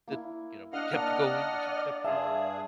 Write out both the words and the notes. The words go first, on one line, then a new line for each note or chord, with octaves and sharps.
that, you know, kept going that you kept doing?
A#3 E4
D4 D#5 F5 F#5 F6
A#3 D4 D5
G2 G#4 E5 F5 A5 C6